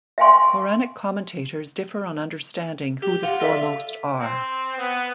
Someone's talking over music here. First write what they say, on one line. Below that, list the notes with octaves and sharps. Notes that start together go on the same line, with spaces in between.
Quranic commentators differ on understanding who the foremost are.
E5 F5 G5 G#5 C6 C#6
G4
F4 F#5
F4 A4 D5 E5
C4
B3